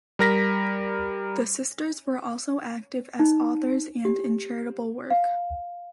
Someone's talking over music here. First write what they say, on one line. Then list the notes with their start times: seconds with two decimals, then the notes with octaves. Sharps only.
The sisters were also active as authors and in charitable work.
0.19 G3 A#4 A#6 B6
3.19 D#4
4.05 G4
5.10 F5